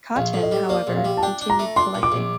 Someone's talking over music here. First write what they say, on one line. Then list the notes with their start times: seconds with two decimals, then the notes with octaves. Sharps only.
Cotton, however, continued collecting.
0.16 A#1 F5
0.33 A2
0.43 D#5
0.51 G3
0.69 A#3 D5
0.87 A#1
0.96 F5
1.05 G3
1.17 A5
1.23 D4 G5
1.41 D4
1.50 A#5
1.59 A3
1.76 D4 C6
1.95 A#2
2.03 D6
2.12 A#1